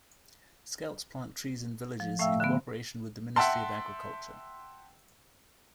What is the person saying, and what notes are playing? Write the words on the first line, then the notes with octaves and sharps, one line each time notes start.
Scouts plant trees in villages in cooperation with the Ministry of Agriculture.
F3
A2 A3 E5 F5 G5 E6
D3 B3
E5 F#5 G5 A5 C6